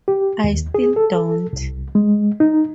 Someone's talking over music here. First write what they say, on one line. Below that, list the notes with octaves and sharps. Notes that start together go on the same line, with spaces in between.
I still don't.
G4
D#2
G#4
A4
C2
G#3
D#4